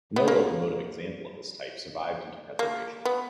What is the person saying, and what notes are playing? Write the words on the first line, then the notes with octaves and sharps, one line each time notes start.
No locomotive example of this type survived into preservation.
B3
A#3
A#3
B3